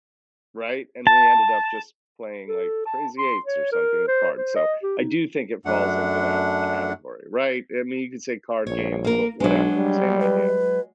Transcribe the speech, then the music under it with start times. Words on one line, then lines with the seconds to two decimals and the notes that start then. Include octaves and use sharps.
right? And we ended up just playing, like, Crazy Eights or something and cards, so I do think it falls into that category, right, I mean, you can say card games, but whatever, same idea.
1.07 A5
2.48 A4
2.86 A5
3.18 C6
3.45 C#5
3.72 A#4
4.08 C5
4.37 C5
4.56 D#5
4.83 G4
4.99 D#4
5.65 F#2 A3 D4 F#5
8.67 A#1 C#5
9.04 A#3 A#4
9.40 B1 F#3 G#3 D4
9.77 G3
10.21 B4